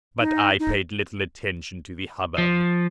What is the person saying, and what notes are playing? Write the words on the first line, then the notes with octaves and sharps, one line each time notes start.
But I paid little attention to the hubbub.
D#4
D#4
F3